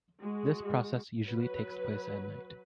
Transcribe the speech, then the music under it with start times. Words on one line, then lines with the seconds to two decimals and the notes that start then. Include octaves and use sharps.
This process usually takes place at night.
0.22 G#3 F#4
1.24 F#3 B4